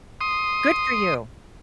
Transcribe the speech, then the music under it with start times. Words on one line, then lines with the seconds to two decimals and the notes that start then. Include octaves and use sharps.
Good for you.
0.21 C6 D#6